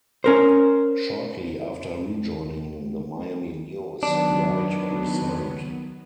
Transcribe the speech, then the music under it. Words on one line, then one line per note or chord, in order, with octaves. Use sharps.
Shortly after rejoining the Miami News, Wright resigned.
C#4 A#4 C5
D#3 F#3 B3 D4